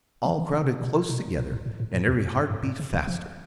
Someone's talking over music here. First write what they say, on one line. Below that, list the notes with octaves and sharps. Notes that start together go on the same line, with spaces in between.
All crowded close together and every heart beat faster.
F3
E3
C#3
C3
C#3
B2
B2
A#2
A2
A2
A2
A2
E2
F2
F#2
G2
G#2
C#3
C#3
F3